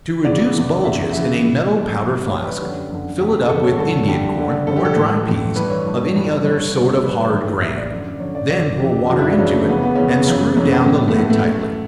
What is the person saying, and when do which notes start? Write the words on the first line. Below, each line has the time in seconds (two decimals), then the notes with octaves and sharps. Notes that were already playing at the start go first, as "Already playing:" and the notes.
To reduce bulges in a metal powder-flask, fill it up with Indian corn, or dry peas, of any other sort of hard grain; then pour water into it, and screw down the lid tightly.
0.25 E2 C#3 E3 D5
0.55 E2 C#3 E3
0.84 E2 C#3 E3 E5
1.13 E2 C#3 E3 E5
1.43 G2 E3
1.73 G2 E3
2.02 G2 E3
2.31 G2 E3 C#5
2.46 B4
2.61 F#2 D3 G4
2.90 F#2 D3
3.20 E2 C#3 E3 G4
3.49 E2 C#3 E3 A4
3.64 C#5
3.78 G2 D3 A4
4.08 G2 D3 G4
4.38 G2 D3
4.67 G2 D3 A4
4.76 G4
4.85 A4
4.96 A2 E3
5.25 A2 E3
5.55 G2 E3 B4
5.70 C#5
5.86 G2 E3
6.15 G2 E3
6.44 G2 E3 C#5
6.73 G2 D3
7.02 G2 D3 B4
7.32 A2 E3
7.61 A2 E3 E5
7.77 D5
7.91 F#2 D3
8.20 F#2 D3 C#5
8.35 D5
8.50 F#2 E3 D5
8.80 F#2 E3 G4
9.09 F#2 C#3 E3 F#4
9.19 E4
9.28 D4
9.38 F#2 C#3 E3 C#4
9.54 A3
9.68 E2 C#3 E3 B3
9.83 B3
9.96 E2 C#3 E3 C#4
10.09 B3
10.27 F#2 C#3 E3 C#4
10.57 F#2 C#3 E3 C#4
10.72 B3
10.86 A2 E3
11.08 A3
11.15 A2 E3 B3
11.30 A3
11.45 F#2 E3